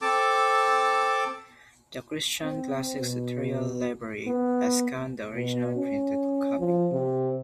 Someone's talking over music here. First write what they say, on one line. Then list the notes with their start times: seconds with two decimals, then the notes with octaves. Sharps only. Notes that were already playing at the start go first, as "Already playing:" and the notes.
The Christian Classics Ethereal Library has scanned the original printed copy.
0.01 C4 A4 A5 D6
2.43 C4
2.99 B2
4.27 B3
5.35 B2
5.76 C#4
6.59 F3
6.92 C3